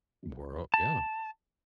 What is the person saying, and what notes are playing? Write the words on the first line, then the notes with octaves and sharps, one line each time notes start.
Worl Yeah.
A5